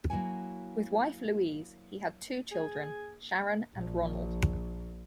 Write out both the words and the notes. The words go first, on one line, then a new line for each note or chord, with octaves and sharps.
With wife Louise, he had two children, Sharon and Ronald.
F#3 A#3 E4 F#4 G#5
G#4
A#1